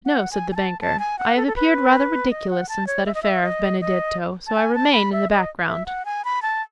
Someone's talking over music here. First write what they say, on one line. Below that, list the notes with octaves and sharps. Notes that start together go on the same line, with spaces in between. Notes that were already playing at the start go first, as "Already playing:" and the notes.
"No," said the banker; "I have appeared rather ridiculous since that affair of Benedetto, so I remain in the background."
F#5
G#5
G#5
A5
A5
G#5
F#5
A4
A4
B4
D#5
F#5
A5
C#5
E5
D#5
E5
D#5
D#5
A5
G#5
A5
B5
E5
D#5
E5
F#5
G#5
B5
A5